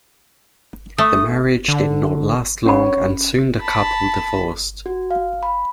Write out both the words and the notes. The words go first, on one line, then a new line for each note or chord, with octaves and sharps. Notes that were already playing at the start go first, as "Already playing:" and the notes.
The marriage did not last long and soon the couple divorced.
A3 D#6
D3
C#4 C#5 F#5 B5
A5 B5
F#4
F5
B5